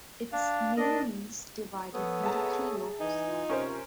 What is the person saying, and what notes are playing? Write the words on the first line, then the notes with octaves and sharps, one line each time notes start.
Its name means 'divided into three lobes'.
D4 F5
D4 A#4 D#5
F3 B3 A4 C#5 D#6
G#4 E5 A5 A#5
E3 D#4 G#5
F4
C3 C#4 A#4 C5